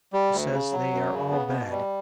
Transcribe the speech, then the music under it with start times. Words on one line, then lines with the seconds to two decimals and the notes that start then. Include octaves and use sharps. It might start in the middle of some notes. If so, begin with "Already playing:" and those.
He says they are all bad.
0.13 G3
0.32 D2
0.52 C#3
0.72 F#3
0.92 F#2
1.12 C#3
1.31 B3
1.51 B2
1.71 G3